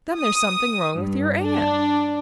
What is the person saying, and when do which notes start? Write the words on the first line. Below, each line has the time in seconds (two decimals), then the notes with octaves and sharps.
"Then there's something wrong with your aunt!"
0.17 D#6
0.96 G2
1.42 D4